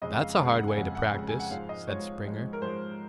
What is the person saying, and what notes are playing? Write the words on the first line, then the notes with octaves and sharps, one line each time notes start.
"That's a hard way to practice," said Springer.
F2 C#3 G#3 D#5
F5
F2 C#3 G#3 F#5
F#5
G#5
F2 C#3 G#3 F#5
F#5
F2 C#3 G#3
G#5
F#5
G#2 F3 G#3 F5
D#5
G#2 F3 G#3 C#5
G#2 F3 G#3
A#4
G#2 F3 G#3 C5